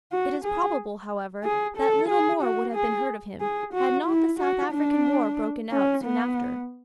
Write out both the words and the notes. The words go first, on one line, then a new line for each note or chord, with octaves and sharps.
It is probable, however, that little more would have been heard of him, had not the South African War broken out, soon after.
F#4
G#4
G#4
A4
G#4
F#4
G#4
G#4
F#4
E4
F#4
D4
C#4
B3